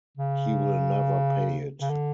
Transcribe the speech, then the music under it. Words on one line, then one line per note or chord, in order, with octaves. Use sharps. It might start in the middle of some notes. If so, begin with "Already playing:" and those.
He will never pay it!
C#3
C#3
D3